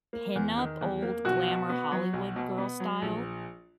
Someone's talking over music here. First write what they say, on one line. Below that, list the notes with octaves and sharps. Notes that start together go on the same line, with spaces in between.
pin-up, old glamour Hollywood girl style,
A#3
E2
D#3
E2
A#3
B1 F#4
B2
B3
F#3
B1
B2
B3
F#3
A#1